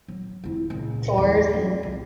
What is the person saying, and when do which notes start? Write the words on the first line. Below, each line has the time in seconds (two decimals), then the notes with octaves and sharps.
chores and
0.08 F#3
0.44 F2 E4
0.70 C#2 A#2
1.18 E2
1.53 F2
1.83 C2